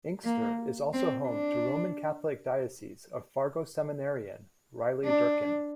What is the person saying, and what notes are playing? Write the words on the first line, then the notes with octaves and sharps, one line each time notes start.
Inkster is also home to Roman Catholic Diocese of Fargo seminarian, Riley Durkin.
A#3
C4
D4
D4